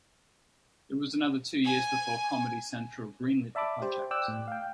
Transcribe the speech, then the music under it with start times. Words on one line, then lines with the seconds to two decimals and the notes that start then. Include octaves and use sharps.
It was another two years before Comedy Central greenlit the project.
1.64 G#5
3.55 D5 E5 A5 B5 D6
3.82 G4 C5
4.11 D5 G5 D6 E6 F#6
4.28 A2
4.48 F5 G5